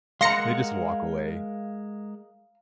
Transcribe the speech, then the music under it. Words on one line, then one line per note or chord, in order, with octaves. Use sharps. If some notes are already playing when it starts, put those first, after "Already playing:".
They just walk away,
G#3 A#4 F5 F#5 A#5 C6 A#6 C#7